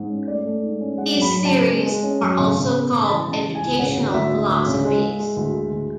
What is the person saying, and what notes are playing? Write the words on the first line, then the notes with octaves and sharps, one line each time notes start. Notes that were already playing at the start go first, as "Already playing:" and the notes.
These theories are also called educational philosophies.
Already playing: G#2
C#4
A3 D5
A3
G#2
C#4
G#3 F#5
F#2
B5
F#2
A5
C#3
G#3
G#3
C#4
F#2
C#3
C#3
B3
C#3
B5
E3 A5
C#3
A5
E3
G#5
C#2
C#3 F#5
D2
D2 E5
D2
D2
C#3
G#3
G#3
G#3
D2
G#3
D2